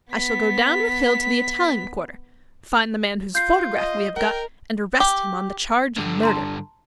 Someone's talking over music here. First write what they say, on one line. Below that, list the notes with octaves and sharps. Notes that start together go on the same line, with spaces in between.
I shall go down with Hill to the Italian Quarter, find the man whose photograph we have got, and arrest him on the charge of murder.
B3 B6
F4 G6 C7
D#5
A#4 G5
G4
G2 D3
A5 A#5 C6